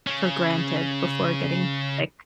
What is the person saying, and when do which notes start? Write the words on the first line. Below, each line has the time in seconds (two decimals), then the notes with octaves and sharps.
for granted before getting sick.
0.07 C#3 C#4